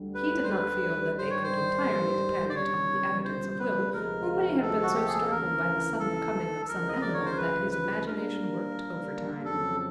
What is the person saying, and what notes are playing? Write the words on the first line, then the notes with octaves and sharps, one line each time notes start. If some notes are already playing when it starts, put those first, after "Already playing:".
He did not feel that they could entirely depend on the evidence of Will, who may have been so startled by the sudden coming of some animal that his imagination worked overtime.
Already playing: D2 D3 G3
B4
C5
B4
G#2 D#3 G3 C5
C#5
C5
D5
C#2 B2 G3 C#5
C5
C5
B4
D2 C3 F3 G#3 A#4
A4
F#4
G4
G#4
A4
D2 C#3 E3 A#4
A4
D2 C#3 F3 G#3 A#4
D#5
D5
C#5
C5
B4
B4
A#2 G3 A#3 D4 A#4
F2 C#3 F#3 A4